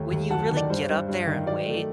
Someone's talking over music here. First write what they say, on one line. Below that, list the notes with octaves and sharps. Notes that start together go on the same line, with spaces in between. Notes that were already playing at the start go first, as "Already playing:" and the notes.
when you really get up there in weight,
Already playing: D#2 A3
D#2
F#3 F#5 A5
D#3
D5
G2 C5
G2
G2
D#3
F#3 D5
A3